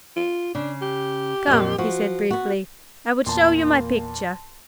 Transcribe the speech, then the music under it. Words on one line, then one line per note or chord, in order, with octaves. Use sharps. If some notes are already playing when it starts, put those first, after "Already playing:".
"Come," he said briefly, "I will show you my picture."
F4
C#3 D4
G4
F2 A#2
F3 F#4
B3 F#4
E2 A#2 A#3 A5 C6